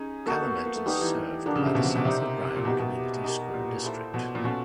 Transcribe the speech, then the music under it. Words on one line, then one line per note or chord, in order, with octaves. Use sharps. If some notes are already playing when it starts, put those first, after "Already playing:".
Calumet is served by the South O'Brien Community School District.
Already playing: C#4 D#4 G#4
A#3 D#4 F#4 A4
B3
B3
A#3
A3
D#3 G3 B3 D#4 G4
E3
D3 F3 A#3 D4
C#3
C3
B2
C3
B2
C3 G3 C4 D#4
A#2
B2 A#3 D#4 G4
B2
D#4 G4 A#4
A#2
E4 A4 C5
B2
A#2
B2 C#4 F4 A4